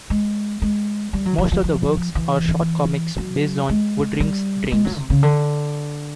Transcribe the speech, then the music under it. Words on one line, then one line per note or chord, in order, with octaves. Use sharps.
Most of the works are short comics based on Woodring's dreams.
G#3
G#3
G3
F#3
F3
F3
F3
E3
F#3
G#3
G3
G#3
F#3
C3
C#3
D3